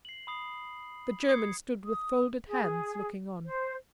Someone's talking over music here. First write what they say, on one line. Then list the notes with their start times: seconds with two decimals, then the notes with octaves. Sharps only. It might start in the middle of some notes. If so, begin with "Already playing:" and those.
The German stood with folded hands looking on.
0.05 C7 F#7
0.27 B5 D#6 C7 F#7
1.29 D#6 G#6 C7 C#7
1.85 D#6
2.46 G#4
3.45 C5